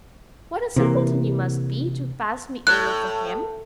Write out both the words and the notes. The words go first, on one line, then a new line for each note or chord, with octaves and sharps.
What a simpleton you must be, to pass me over for him!
C3 E3 A#3
A2 F#6